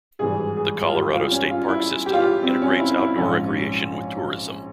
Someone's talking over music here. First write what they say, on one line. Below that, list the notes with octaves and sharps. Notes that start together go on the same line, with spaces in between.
The Colorado State Parks system integrates outdoor recreation with tourism.
G#1 G2 E3 G#4
G#4
F4
G4
F4
C#4
F4
E4
G4
F4
G4
C4
C#4
E4
E4
A#1 G#2 F3 C#4